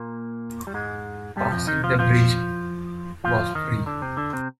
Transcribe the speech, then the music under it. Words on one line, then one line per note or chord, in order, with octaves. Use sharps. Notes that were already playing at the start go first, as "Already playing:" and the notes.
Passing the bridge was free.
Already playing: A#2 A#3
G3
G#2 G#3
G2 G3
F2 F3
D#3 D#4
F3 F4
F3 F4
F3 F4
D#3 D#4
D3 D4
C3 C4
D3 D4
C3 C4